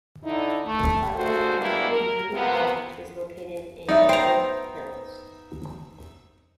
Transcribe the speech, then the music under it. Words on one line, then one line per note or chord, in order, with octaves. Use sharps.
Butler County Community College is located in Oak Hills.
D3 D#4 E4
A3
D#2 D3 G#3 F#4 A4 C5
A2 G#3 A#3 B3 D4 E4
A#4
C3 F3 A#3 B3
F#3 B3 D#4 D5 E5
C5 G5 A#5